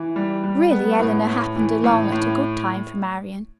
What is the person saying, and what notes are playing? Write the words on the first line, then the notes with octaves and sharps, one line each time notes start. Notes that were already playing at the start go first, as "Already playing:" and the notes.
"Really, Eleanor happened along at a good time for Marian."
Already playing: E3
G3
G3
B3
A2
A2
E3
A2
A2